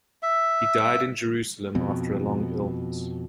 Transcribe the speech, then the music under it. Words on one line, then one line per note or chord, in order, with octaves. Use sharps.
He died in Jerusalem after a long illness.
E5
F2 B2